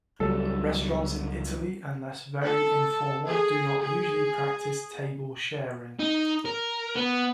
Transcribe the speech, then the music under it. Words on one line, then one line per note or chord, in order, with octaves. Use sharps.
Restaurants in Italy, unless very informal, do not usually practice table sharing.
C#2 F#3 G3 A4
A4
G#4
G#4
D#4
A#4
B3